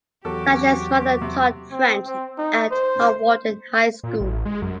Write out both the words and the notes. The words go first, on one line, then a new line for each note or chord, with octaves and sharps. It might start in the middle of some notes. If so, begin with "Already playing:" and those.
Sasha's mother taught French at Hawarden High School.
E2 F#3 F#4 G4 A4 D6
C3
C4
C4
D#4
C5
A#2
A1
G#3
F#2